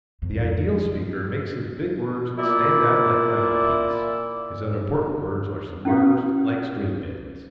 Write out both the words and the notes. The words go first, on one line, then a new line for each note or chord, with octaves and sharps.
The ideal speaker makes his big words stand out like mountain peaks; his unimportant words are submerged like stream-beds.
F2
A#2 E4 D5
C#4 E4 G4 F5